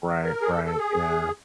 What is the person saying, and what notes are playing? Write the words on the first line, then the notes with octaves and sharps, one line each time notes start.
Right. Right. Yeah.
A#4
G#4
A4
A4
G#4